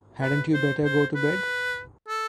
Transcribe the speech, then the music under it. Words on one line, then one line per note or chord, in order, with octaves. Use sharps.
Hadn't you better go to bed?
B4
C5
C5
B4
A4